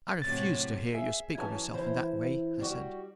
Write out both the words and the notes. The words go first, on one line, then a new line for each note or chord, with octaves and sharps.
"I refuse to hear you speak of yourself in that way," I said.
A2 C3 F#3 A6
G#4 E5
F#2 E3 C#4 G#5 A5
E3 E4 C5
G3 F#4